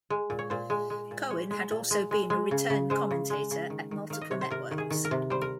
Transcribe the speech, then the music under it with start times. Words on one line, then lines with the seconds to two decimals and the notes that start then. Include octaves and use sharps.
Cohen had also been a return commentator at multiple networks.
0.10 G#3
0.30 A#2
0.39 C#5
0.50 A#2 C5
0.70 G#3
0.90 G#3
1.11 A#2
1.30 G#3 C#5
1.51 G#3
1.71 A#2
1.91 G#3
2.11 G#3
2.30 G#3
2.51 C#3
2.70 C#3
2.90 G#3 C5
3.11 C#3
3.30 G#3
3.51 C#3
3.70 D#3
3.91 D#3
4.10 D#3 F5
4.21 D#5
4.31 C3 C#5
4.41 C5
4.50 C3 A#4
4.71 D#3
4.78 G#4
4.90 D#3
5.05 A#4
5.11 C3
5.30 G3 C5
5.42 A#4